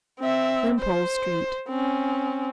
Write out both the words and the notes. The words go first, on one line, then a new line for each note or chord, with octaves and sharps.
Wimpole Street.
C4 E5
C5
C4 C#4